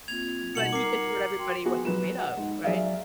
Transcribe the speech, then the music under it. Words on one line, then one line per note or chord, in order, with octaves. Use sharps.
But, he just showed everybody what he's made of, right?
A#3 C4 F4 G#6 F7
B2 G3 D#4 F#5 C#7 F#7
A#4 D6 C7
F#4 G5 C6
B3 F#4 G#4
F#3 F#4 B4 E7
F#5
G#2
F#3 G#4 D5 E5 F5